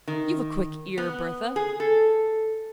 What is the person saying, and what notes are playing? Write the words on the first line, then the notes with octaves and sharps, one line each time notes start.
You've a quick ear, Bertha.
D#3
B3
G#4
A4